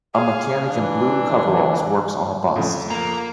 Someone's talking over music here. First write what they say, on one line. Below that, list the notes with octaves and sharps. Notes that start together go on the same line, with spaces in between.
A mechanic in blue coveralls works on a bus.
G#4 F5
E3 D4
F2 A2 C#3 F3
A#3 A#5